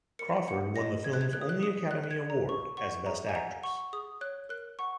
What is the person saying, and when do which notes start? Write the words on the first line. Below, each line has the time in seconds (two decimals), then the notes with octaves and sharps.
Crawford won the film's only Academy Award, as Best Actress.
0.19 A#4 C#7
0.48 F#5 C#7
0.76 D#5 A#6
1.04 G#4 G#6
1.13 F#6
1.21 G#6
1.33 G#4 F#6
1.41 D#6
1.49 F#6
1.62 G#4 D#6
1.91 G#4 F#6
2.04 F#6
2.11 G#6
2.19 G#4
2.30 A#5
2.49 G#4 C#6
2.77 F#5 C#6
3.06 G#4 A#5
3.29 G#5
3.35 F#5 A#5
3.63 F#5 C#6
3.93 G#4 D#6
4.21 C#5 F#6
4.49 A#4 F#6
4.79 F#5 C#6